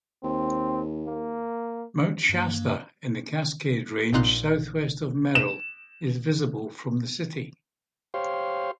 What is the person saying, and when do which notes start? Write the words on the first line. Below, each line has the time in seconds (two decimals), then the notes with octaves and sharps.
Mount Shasta in the Cascade Range southwest of Merrill, is visible from the city.
0.23 D#2 C4
1.07 A#3
2.29 G2 A#3
4.13 A#1 A#2 D#4 F4 F#6
5.35 E7
8.14 G4 C5 C#5 F5 C6